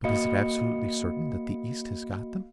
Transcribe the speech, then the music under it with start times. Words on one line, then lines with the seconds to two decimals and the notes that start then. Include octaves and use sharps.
"But is it absolutely certain that the East has got them?"
0.04 A#3 F#4 D#5 F5 B5 C#7